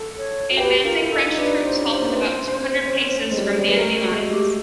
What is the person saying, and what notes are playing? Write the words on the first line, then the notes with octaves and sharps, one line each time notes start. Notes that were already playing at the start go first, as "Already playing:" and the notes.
The advancing French troops halted about two hundred paces from the enemy lines.
Already playing: A4
C#5
F#4
G4 B4
F4 A#4
E4 A#4
D#4 A4
D#4
D4 B4
C5
C#4
C5
A#3
B3
C4
C#4
C4
G#3
G3
G3
G#3 B4
A3 A#4
F#4
G#3
A3
G4